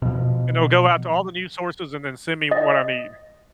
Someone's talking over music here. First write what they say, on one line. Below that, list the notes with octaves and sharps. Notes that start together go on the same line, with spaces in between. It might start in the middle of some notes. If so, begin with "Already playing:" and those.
And it'll go out to all the news sources and then send me what I need.
B2 F3
D#5 A6